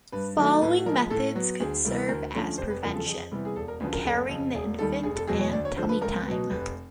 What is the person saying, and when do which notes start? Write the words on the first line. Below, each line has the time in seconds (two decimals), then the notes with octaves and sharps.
Following methods could serve as prevention: carrying the infant and tummy time.
0.12 G2 B4
0.37 D#3 F#3 A3
0.61 A2 B4
0.86 F3 A#4
0.90 G#3
1.10 A2 A4
1.35 F#3 B3
1.60 D2 G#4
1.85 C3 E3 G3 A#3
2.09 D2 A#4
2.34 D3 F3 A3 C#4
2.58 F1 C5
2.70 B4
2.83 E2 C#3 F3 A#4
2.95 A4
3.07 F2 G#4
3.32 C3 E3 G3 B3
3.45 G#4
3.56 E1 A4
3.68 A#4
3.80 D2 C#3 F3 B4
3.93 A#4
4.05 F#1 A4
4.29 F2 C#3
4.54 E1 G#4
4.79 D#2 D#3 G3 A4
5.03 F1 G#4
5.16 A4
5.27 E2 B2 F#3 G#4
5.40 C#5
5.53 D2 D5
5.65 C#5
5.76 D3 F3 C5
5.89 B4
6.01 C#2 A#4
6.26 B2 F#3 B3
6.51 F1 B4